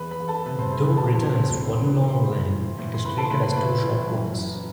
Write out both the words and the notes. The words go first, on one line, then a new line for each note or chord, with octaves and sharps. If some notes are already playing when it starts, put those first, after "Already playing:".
Though written as one long line, it is treated as two short ones.
Already playing: E2 B4 B5
B4 B5
E2
A4 A5
C3 B4 B5
C5 C6
C3 C5 C6
B4 B5
E2 A4 A5
A4 A5
C3
C5 C6
C3 B4 B5
C5 C6
E2
B4 B5
A2
C6
B5
A2 C5 C6
E3
A2
C6
A2 B4 B5
A4 A5
C6
A2 B4 B5
B4 B5
A2 B4 B5
E3
F#2
F#2